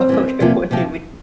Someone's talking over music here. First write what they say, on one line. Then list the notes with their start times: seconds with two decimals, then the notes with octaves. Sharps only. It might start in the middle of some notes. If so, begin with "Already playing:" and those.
Okay, what do you mean?
Already playing: C4
0.09 E3 G3 C#4
0.40 E2 C3 F3 A#3 F4
0.71 C3 F3 C4 G4